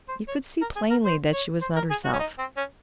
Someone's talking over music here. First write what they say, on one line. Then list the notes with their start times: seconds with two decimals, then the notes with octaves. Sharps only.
He could see plainly that she was not herself.
0.09 C5
0.28 C#5
0.61 A#4
0.76 G#4
0.90 A#4
1.05 C5
1.33 C#5
1.62 C5
1.76 A#4
1.90 G#4
2.05 F#4
2.13 C#4
2.19 D#4
2.38 C4
2.57 C#4